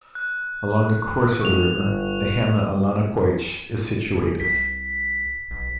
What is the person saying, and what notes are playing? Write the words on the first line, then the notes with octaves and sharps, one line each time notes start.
Along the course of the river, the hamlet Allanaquoich is situated.
F#6
F1 C#6 F7
G1
G#4
C2 B6
B1